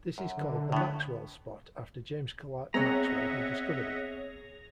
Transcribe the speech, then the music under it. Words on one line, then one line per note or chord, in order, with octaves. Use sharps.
This is called the Maxwell's spot after James Clerk Maxwell who discovered it.
F#2
D3
A2 B3
B3 C4 G#4 C#5 D#5 E5 F#5 A#5